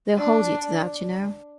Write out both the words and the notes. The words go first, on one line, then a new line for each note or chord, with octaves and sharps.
They'll hold you to that, you know.
D4